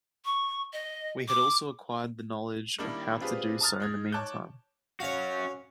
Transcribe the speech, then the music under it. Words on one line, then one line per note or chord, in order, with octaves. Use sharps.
We had also acquired the knowledge of how to do so in the meantime.
C#6
D#5
D6
D#3 G3 A#3 D4 E4
C4 D4 F4 G4 G#4 B4
A5 A#5 D#6 F6 A6
G#3 D#4 G#6
C#5 A5 D6 F#6 G6
C#4 F#4 C#5 F5